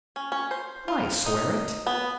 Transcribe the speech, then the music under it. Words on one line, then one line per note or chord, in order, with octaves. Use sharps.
"I swear it."
C#4
C#4
C5
F4
D#4
B3